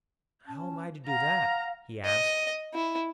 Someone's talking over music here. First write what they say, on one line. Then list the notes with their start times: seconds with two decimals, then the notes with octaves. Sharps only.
'How am I to do that?' he asked.
0.47 C#4 A5
1.07 F5 F#5 A#5 F6
2.05 D#5
2.74 E4